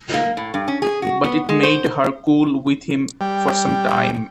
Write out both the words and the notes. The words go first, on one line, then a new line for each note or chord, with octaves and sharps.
But it made her cool with him for some time.
A#3
A2
G2
C#4
G#4
F#4
B3
G#3
C5
G3